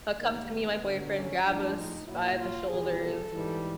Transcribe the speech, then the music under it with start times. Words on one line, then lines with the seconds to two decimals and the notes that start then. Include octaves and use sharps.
he'll come to me and my boyfriend, grab us by the shoulders,
0.19 G#2 D#3 G3 A#3
0.51 B3
0.81 G2 D3 F#3
1.14 C#4
1.44 A2 F3 G#3 D4
1.76 D#4
2.07 A#2 F#3 E4
2.38 F4
2.68 E2 B2 G3 G#4
3.01 A4
3.31 G#2 E3 G3